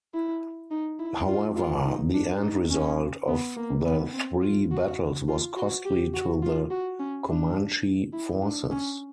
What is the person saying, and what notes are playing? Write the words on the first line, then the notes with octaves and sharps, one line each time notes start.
However, the end result of the three battles was costly to the Comanche forces.
E4
D#4
E4
F4
F4
D#4
D4
D#4
C#4
B3
A#3
B3
C4
F4
F#4
F4
F#4
G4
F#4
F4
F#4
C#4
D4
E4
D4
C#4